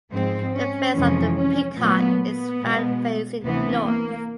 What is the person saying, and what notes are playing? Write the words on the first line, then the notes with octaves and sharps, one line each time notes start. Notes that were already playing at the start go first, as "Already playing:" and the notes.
The face of the peacock is found facing north.
G#2 F3 G#3 C4
C#4
F2 C3 E3 G#3 C#4
C#4
A#2 F#3 A3 B3
B3
B2 G#3
D2 C3 E3 B3
A#3